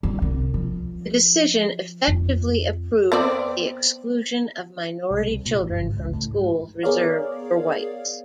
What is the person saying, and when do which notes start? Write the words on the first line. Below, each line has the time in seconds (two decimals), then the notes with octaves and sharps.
The decision effectively approved the exclusion of minority children from schools reserved for whites.
0.03 G3
0.22 C2
0.54 F3
2.08 F2
3.12 B3 C4 D5
5.11 C2
5.28 C2
5.46 A#2
5.59 A1
5.70 F#1
5.83 G#1
5.97 C#2
6.14 A2
6.33 G#2
6.83 B3 G#4 A#4 C#5 D5 F5